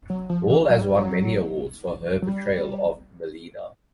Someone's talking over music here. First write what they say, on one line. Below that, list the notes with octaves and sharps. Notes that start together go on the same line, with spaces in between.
Hall has won many awards for her portrayal of Marlena.
F#3
F3
E3
F#3
G3
F#3
F#3
G3